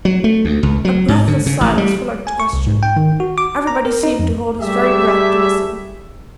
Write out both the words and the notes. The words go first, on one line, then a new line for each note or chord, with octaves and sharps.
A breathless silence followed the question--everybody seemed to hold his very breath to listen.
F#3
A3
D2
C#2
F#3
G#2
D3
C#3
A1
G3
G#5
C#6
C2
G#2
G5
D#3
F#4
D6
A#5
A#4
D#4
F2
G3 A3 G4 G#4 E5